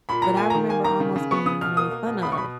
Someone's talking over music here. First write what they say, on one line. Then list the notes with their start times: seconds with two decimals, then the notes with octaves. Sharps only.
but I remember almost being made fun of
0.09 A#2 B5
0.22 A#2 A#5
0.37 A#3 G#5
0.50 A#5
0.55 D#3
0.69 A#3 G#5
0.84 D#3 A#5
1.00 C#3
1.16 C#3
1.31 B3 C#6
1.46 C#3 D#6
1.61 B2 F6
1.76 A#3 D#6
1.91 A#3
2.07 B2
2.22 B2 B5
2.32 C#6
2.37 B2 B5